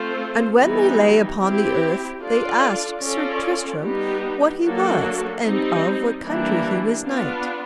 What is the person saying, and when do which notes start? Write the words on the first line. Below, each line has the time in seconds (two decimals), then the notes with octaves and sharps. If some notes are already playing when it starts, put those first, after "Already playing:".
And when they lay upon the earth they asked Sir Tristram what he was, and of what country he was knight.
Already playing: A3 C4 F4 A4 C5
0.59 E3 G3 B3 D#4
1.40 C4 E4 G4
2.20 D4 F4 A4 D5
3.01 C#4 F4 A4 D5
3.82 G3 B3 D#4 G4
4.63 F#3 A#3 D4 F#4 A4
5.43 G3 C4 D#4
6.23 E3 G3 A#3 D4
7.04 B3 D4 F4